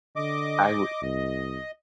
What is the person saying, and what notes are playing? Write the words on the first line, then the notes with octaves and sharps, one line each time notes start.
I would
D3 D#5 D6
C2 D#5